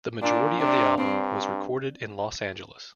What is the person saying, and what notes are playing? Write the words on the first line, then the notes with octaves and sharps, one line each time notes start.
The majority of the album was recorded in Los Angeles.
A#2 D4
C3 D4
G2 C4